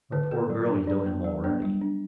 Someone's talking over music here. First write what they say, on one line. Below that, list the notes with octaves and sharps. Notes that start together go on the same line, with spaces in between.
"My poor girl, you know him already."
D3 B4
B3 A4
F#3
D4
F#3 D4
B3
F#3
B3 D4
G3
D4